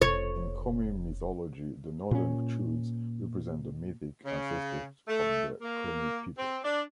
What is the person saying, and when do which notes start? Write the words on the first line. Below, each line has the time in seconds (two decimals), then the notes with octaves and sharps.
In Komi mythology, the Northern Chudes represent the mythic ancestors of the Komi people.
0.02 F1 C#3 C#5
2.11 A#2 C#4
4.25 C#3
5.08 A3
5.61 A#3
6.37 C4
6.63 D4